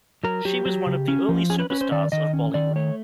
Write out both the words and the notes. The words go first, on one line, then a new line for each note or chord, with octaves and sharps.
She was one of the early superstars of Bollywood.
F#3 A#4
F#3 G4
F#3
C#3
C#4
F3
C#4 G#4
B4
C#4 B4
C5
D#3 D5
D#3 D#5
C#4
D#3 D5
A3 C#5